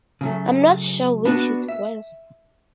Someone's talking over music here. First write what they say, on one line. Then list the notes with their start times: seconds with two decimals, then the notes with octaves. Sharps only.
I'm not sure which is worse.
0.21 C#3 F#3 A3
1.25 B3 D4 F#4 B4
1.68 E5